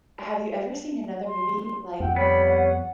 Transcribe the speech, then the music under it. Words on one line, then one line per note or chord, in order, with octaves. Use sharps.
have you ever seen another movie like
C6
F2 F#5 G5
G3 B3 C#5 B5
F#5